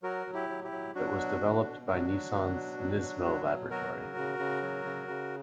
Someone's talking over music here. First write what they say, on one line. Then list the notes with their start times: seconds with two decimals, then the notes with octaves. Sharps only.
It was developed by Nissan's Nismo laboratory.
0.03 F#3 F#4 A#4
0.26 F#3
0.34 E4 G4
0.49 F#3
0.64 E4 G4
0.72 F#3
0.95 F#3 D4 F#4
1.18 B2
1.41 B2
1.64 B2
1.87 F#3 D4 F#4
2.10 F#3
2.33 F#3
2.56 B2
2.78 F#3
3.02 F#3
3.24 F#3
3.48 B2
3.70 F#3 F#4 A#4
3.93 C#3
4.16 C#3
4.39 C#3
4.62 F#3
4.85 C#3
5.08 C#3